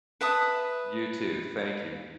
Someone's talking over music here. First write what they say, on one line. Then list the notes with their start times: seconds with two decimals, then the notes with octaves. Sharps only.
You too, thank you.
0.21 B4 E5 A5 D#6